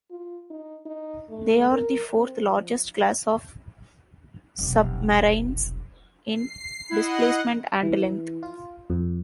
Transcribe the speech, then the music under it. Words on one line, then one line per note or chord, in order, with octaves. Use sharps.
They are the fourth largest class of submarines in displacement and length.
F4
D#4
D#4
A3
A#4
C4
F3
F1 B1
C7
E4 D#5 F#5
E3
F4
F2